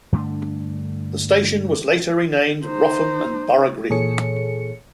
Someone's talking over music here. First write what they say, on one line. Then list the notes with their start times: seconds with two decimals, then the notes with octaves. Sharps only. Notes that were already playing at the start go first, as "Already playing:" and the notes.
The station was later renamed Wrotham and Boro Green.
0.12 G2 D3 A3 D4
2.65 D#4 C5
3.90 A#2 E3 G#4 A4 C#5 C#7